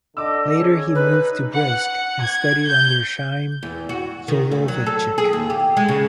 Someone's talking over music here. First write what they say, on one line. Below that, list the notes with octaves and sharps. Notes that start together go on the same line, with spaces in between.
Later he moved to Brisk and studied under Chaim Soloveitchik.
D3 D#5 D6 E6
C#3 C#5
D#4 B4
F#5
G#6
G6
E2
F#4
D#3
D2
F#3
A4
G#4
D#2
G4
G#3
C#3